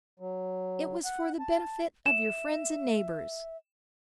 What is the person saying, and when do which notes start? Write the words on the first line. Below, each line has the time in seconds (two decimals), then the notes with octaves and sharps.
It was for the benefit of your friends and neighbors.
0.20 F#3
1.05 F#5
1.40 A5
2.06 E5 E7